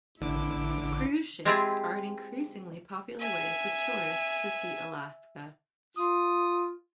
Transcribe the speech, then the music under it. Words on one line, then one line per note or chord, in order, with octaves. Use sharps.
Cruise ships are an increasingly popular way for tourists to see Alaska.
A1 D3 E4 D6
G#3 C4 E4 F4 G4 G#4
E5 G#5
F4 D#6